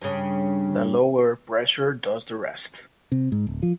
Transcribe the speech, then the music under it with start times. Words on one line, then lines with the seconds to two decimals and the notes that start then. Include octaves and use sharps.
The low air pressure does the rest.
0.02 G2 C#3
3.12 C3
3.32 G#2
3.47 D1
3.63 F3